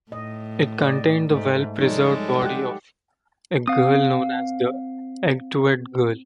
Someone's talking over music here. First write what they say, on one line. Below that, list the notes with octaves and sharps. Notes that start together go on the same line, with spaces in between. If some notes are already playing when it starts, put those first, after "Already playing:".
It contained the well preserved body of a girl known as the "Egtved Girl".
A2 D#5
D5 D#5
G#2 A3
F3 G3 G#3 D#4 A4 C#5
G4 F#5
C4 F5 D#6